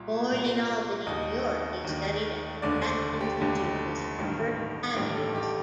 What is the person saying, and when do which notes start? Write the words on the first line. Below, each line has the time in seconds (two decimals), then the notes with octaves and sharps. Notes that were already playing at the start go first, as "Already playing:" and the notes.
Born in Albany, New York, he studied at the Pratt Institute, with Herbert Adams.
Already playing: C2 A#2
0.29 C2 A#2
1.06 D#2 D#3 D#5
1.84 D#2 D#3
2.62 F1 D#2 D3 D5
2.82 C5
3.20 G4
3.40 F1 D#2 D3
4.18 A1 G2 D#3
4.96 A1 G2 D#3 G4
5.15 A4
5.35 G4